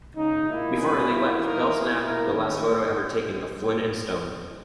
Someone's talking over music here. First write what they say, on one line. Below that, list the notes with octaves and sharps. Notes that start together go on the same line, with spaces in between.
Before they left, Bell snapped the last photo ever taken of Flynn and Stone.
C#3 G#3 D#4
A#2 A#3 E4
A#2 G3 C#4 G#4 B4
A#3 E4 G4
E3 A#3 D#4 A#4
A#3 E4 G#4
B2 A#3 E4 A#4
D#3 A#3 C#4